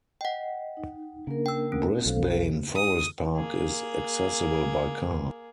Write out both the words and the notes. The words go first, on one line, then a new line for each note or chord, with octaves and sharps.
Brisbane Forest Park is accessible by car.
D#5 F#5 G5
D#4
C#3 A#3 D4 A#4
G5 E6
C#4
B1 A4 C5 F5
D#6
A#3 G#4